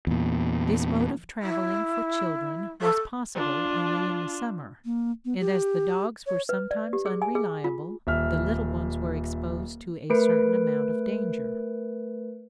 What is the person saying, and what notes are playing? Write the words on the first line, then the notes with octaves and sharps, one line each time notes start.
This mode of travelling for children was possible only in the summer, and as the dogs were sometimes unreliable, the little ones were exposed to a certain amount of danger.
E2 A#2
E4
A4
D4 F4
A#3
B3
G4
C#5
B4
D5
G4
G#4
G#5
G#4
F4
D#1 E5 F6
A3 A#4 B4 D7